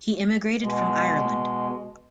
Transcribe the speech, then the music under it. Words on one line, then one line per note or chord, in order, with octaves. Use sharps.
He emigrated from Ireland.
B2 G#3